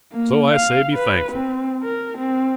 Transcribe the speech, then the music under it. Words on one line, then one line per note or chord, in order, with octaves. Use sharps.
So I say, be thankful.
A#3
F5
B4
C4
A#4
C4